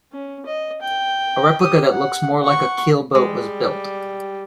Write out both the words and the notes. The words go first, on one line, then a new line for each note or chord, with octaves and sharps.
A replica that looks more like a keel boat was built.
C#4
D#5
G5
G4 D#6
F#5
F#5 C#6
G3 G#3